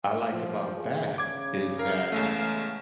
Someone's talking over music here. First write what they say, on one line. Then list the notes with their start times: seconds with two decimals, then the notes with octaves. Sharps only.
I liked about that, is that,
0.31 F3
0.77 G#4
1.18 C#3 D6 G#6
1.79 A#4 F5
2.12 E2 G#3 A3